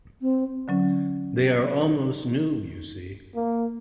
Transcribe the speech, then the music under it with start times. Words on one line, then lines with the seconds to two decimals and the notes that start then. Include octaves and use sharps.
They are almost new, you see.
0.22 C4
0.68 D3 F#3 C#4
3.35 A#3